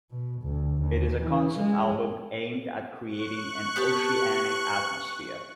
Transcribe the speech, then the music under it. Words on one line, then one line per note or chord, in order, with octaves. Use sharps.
It is a concept album aimed at creating an oceanic atmosphere.
B2
D2
D#2
E3
G#3
C#6 F#6
B3 G4 A5